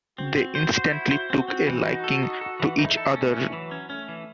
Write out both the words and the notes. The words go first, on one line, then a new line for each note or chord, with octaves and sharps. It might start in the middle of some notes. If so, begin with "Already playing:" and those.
They instantly took a liking to each other.
C4 F#4
C4
F#4 C5
C5
E4 F#4
C5
C4 F#4
C4
E3
D#4
A4
D#4
F#4 A4
E3
D#4 E4
A4
A3 C#4
C#4
E3 F#3
C#4
A3 C#4
E3